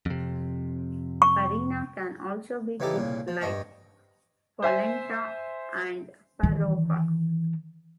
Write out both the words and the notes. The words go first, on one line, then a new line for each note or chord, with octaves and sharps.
Farina can also be cooked like polenta and farofa.
F2 C3
C#6
C#3 E3 G3 D#4 G4 A4
C2 A#2 C#3
F3
G2 D#5 G5 C#6
C5 E5 G#5
D#3 E3